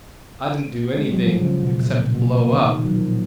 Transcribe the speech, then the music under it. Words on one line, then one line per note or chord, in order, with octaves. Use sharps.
"I didn't do anything--except blow up."
G#3
F#3
F3
C#3
B2
A#2
B2
A#2
B2
D#3
D#3
F#3
F3
A#2